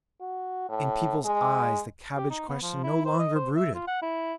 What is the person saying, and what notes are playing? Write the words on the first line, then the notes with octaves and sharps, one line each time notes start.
In people's eyes the cabbage question no longer brooded.
F#4
A2
G#3
G4
D#4
B3
F3
E4
C5
D#5
C5
E5
F4
F#5
E4